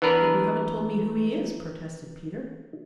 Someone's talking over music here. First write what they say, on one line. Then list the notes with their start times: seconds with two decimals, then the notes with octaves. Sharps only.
"But you haven't told me who he is," protested Peter.
0.02 E3 B3 D4 A#4 B4